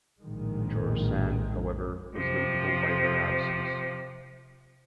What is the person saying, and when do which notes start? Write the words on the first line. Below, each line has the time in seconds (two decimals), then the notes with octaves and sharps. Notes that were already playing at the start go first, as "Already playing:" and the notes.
George Sand, however, was notable by her absence.
0.22 A#1 A2 D#3 G#3
2.16 C3 F3